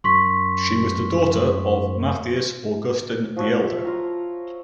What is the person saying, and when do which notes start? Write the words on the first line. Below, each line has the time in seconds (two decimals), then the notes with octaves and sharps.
She was the daughter of Mathias Augustin the Elder.
0.04 F#2 C6 C#6 B6
3.36 F3 F#4 C#5 E5
3.85 F4 A#5